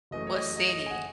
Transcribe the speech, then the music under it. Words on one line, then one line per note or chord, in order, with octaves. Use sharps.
What city?
F#1 F#2 E3 A3 D#5
C#5
D#5
D#5
D#5
D#5
G#5
F#5